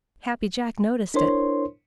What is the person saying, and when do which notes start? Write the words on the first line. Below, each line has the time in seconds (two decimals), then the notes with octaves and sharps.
Happy Jack noticed it.
1.14 D4 E4 A#4 C5 C#5 C6